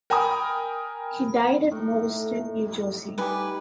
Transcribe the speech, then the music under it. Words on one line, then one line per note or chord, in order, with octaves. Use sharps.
He died at Morristown, New Jersey.
A#4 G5 G#5 A#5 B5 D#6
A2 A3 D#4
G3 D#4 G4 B4 G#5